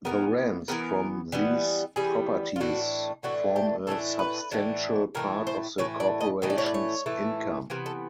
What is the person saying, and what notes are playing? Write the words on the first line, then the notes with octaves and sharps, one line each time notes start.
The rents from these properties form a substantial part of the corporation's income.
E3 G3 B3 A#4
E3 G3 B3 A#4
E3 G3 B3
E3 G3 B3 G#4
F4
A2 E3 A3 D4 F#4
A2 E3 A3 D4 F#4
G4
A2 E3 A3 D4 A4
B4
A2 E3 A3 D4
A2 E3 A3 A#4
C5
A2 E3 A3 C#5
D5
D#5
A2 E3 A3 D#5
D5
C#5
D5
C#5
A2 E3 A3
C3 E3 B3 A#4
A4